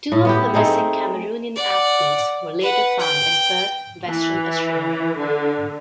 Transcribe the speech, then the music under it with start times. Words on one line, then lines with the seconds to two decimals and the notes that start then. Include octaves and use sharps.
Two of the missing Cameroonian athletes were later found in Perth, Western Australia.
0.12 A2
0.25 B3 E4 G4
0.54 A3 C4 D#4 G#4
1.56 D5 F#5
2.61 B4 F#5
2.99 G5
4.07 E3
5.17 D3